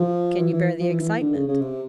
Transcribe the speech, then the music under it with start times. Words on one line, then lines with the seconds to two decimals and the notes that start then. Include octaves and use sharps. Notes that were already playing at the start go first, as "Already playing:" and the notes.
"Can you bear the excitement?"
Already playing: F3
0.40 E3
0.53 E3
0.80 F3
0.90 E3
1.00 E3
1.21 D3
1.34 C#3
1.48 C#3
1.61 C3